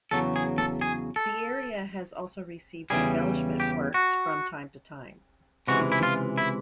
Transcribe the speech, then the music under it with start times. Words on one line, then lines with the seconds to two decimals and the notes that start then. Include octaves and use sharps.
The area has also received embellishment works from time to time.
0.11 E2 C#3 F#3 A4
0.36 G#4
0.58 A4
0.81 G#4
1.16 A4
2.90 E2 C#3 E3 G3 G#4
3.60 G4
3.94 F#4
5.67 C#2 C3 E3 G#3 F#4
5.92 E4
6.03 F4
6.38 E4